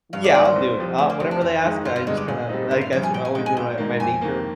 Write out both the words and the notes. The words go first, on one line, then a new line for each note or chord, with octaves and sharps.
Yeah, I'll do it. I'll whatever they ask, I just kinda I guess, that's always been my my nature,
G2 F5
D5
D#3 A#3 D5
C5
C2
C3 F3
D2 G#4
A#3
C3 F3 C4
D4
F2 F4
D#3 G#3 D#4
G1 F4
F4
G2 D3 G#3 D#4
G4
A#2 G#4
G3 C4 D#4
G1 A#4
F5
G2 F3 G5
G#5
A#2 G5
G#5
G#3 D#4 G5
G#5
G#1 G5
G#2 D#3 A#3
F2 G#5
D#3 A#3